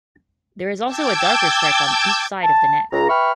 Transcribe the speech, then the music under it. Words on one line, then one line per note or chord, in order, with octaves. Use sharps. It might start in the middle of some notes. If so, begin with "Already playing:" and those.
There is also a darker stripe on each side of the neck.
G5 A5 D6 E6 G6 G#6
A5
C#2 A#5
B4 E5 G5 B5 C#6 F6